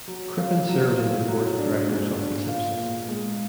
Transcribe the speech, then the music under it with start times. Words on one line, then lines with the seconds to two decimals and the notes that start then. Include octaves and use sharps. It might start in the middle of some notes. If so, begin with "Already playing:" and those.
Crippen serves on the board of directors of Eclipsys.
0.08 F#3
0.38 F4
0.69 F#3
0.98 F4
1.28 F#3
1.58 D4
1.88 G#2
2.19 D4
2.48 F4
2.78 A#2
3.08 G#3